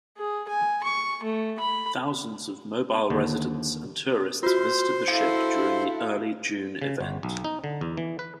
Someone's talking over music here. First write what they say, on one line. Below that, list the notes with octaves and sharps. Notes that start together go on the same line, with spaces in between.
Thousands of Mobile residents and tourists visited the ship during the early June event.
G#4
G#5
C#6
A3
B5
D#2 D3
F4 F#4 C5 C6
E4 F#4 A4 F5
C#3
G1
B1
D#4
D3
E2
E3
B4